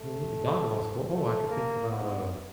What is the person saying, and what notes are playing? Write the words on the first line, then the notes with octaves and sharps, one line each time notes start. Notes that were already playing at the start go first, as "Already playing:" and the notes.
Me uh, dodgeball's cool Oh, I could think about, uh
Already playing: A3
A3
A#3
B3